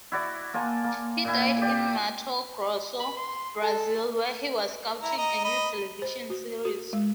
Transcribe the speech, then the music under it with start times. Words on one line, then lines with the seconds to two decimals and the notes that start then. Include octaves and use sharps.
He died in Mato Grosso, Brazil where he was scouting a new television series.
0.12 E4 F#4 D5
0.54 A#3 F4 G#5 A5
0.84 A#3
1.25 A#2 E4
1.62 G4 D5
3.00 B5
3.17 C6
3.62 A4
5.02 E4 A#5
5.18 D#5 A#5
5.44 D#5 B5
6.02 C5
6.30 F#4
6.65 F#4
6.93 G#3